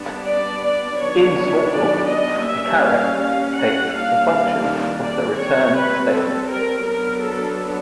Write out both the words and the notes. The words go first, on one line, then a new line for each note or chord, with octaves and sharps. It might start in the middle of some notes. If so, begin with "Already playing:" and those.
In Smalltalk, the caret takes the function of the return statement.
Already playing: G3 B3 D4
D5
D5
D#3 F#3 B3 D4 C#5
D5
D#5
G3 A#3 C#4 E5
F5
F5
F#5
D#3 G3 A#3 D4 F5
F5
D5
G3 C4 C#5
B4
A4
A#4
F#3 B3 D4 A#4
A4